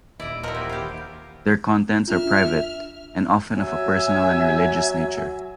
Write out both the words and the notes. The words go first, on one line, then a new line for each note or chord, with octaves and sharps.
Their contents are private, and often of a personal and religious nature.
D#1 D#2 E4 D5 D#5
F3 E4 F#4 A#4 D#5
G4
F4 G4
D4 F4 E5 F6
F#3 E5 G#5